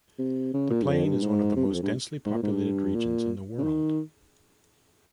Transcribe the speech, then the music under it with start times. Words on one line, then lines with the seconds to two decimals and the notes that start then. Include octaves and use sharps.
The plain is one of the most densely populated regions in the world.
0.19 C3
0.54 C#3
0.71 A#2
0.83 G2
0.88 F2
1.05 G2
1.23 G#2
1.57 C3
1.66 G2
1.74 F2
1.83 G2
2.26 G#2
2.35 A#2
2.43 G#2
2.52 G2
2.95 A#2
3.59 C#3
3.64 D#3